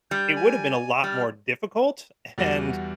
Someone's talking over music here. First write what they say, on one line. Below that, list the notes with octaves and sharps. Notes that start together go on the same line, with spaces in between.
it would've been a lot more difficult, and
G3 G6
G#5
G3 F6
E2 G3 F#4 A#6